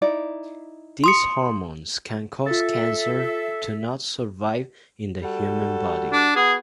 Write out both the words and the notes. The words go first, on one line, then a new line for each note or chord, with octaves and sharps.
These hormones can cause cancer to not survive in the human body.
D#4 E4 D5
C6 D#6 C#7
F4 A4 E5 A6
G3 F#4 A4
D4
B3 F#4 G#4